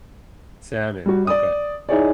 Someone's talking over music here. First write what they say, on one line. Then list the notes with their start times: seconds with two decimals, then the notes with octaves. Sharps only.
Salmon, okay.
1.06 G3 F#4
1.27 D5 D#6
1.89 D#4 E4 G#4 C#5 D5